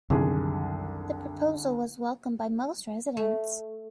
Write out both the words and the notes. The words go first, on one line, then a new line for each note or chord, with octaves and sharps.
The proposal was welcomed by most residents.
C2 F#2 D3 D#3 G3 G#4
A3